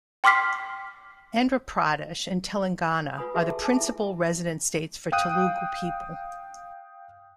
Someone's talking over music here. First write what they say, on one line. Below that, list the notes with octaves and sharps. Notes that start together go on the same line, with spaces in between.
Andhra Pradesh and Telangana are the principle resident states for Telugu people.
G5 C6 D6 F6 B6 C7
F4 B4 F#5 G#5 B5 D#6
F#4 G#4 C5 E5 F#5 C6
A4 A5 B5
G#4 A4 G#5 A5 D6
E4 E5
F5 G5 D#6 F#6 D#7